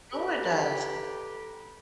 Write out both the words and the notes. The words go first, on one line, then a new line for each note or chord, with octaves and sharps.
No. It does.
G4 A4 B4 A#5 B5